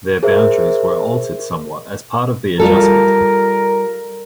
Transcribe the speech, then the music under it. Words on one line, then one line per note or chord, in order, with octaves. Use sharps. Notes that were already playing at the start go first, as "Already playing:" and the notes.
Their boundaries were altered somewhat as part of the adjustment.
G#4 A#4 C5 E5
G3 F4 A4 A#4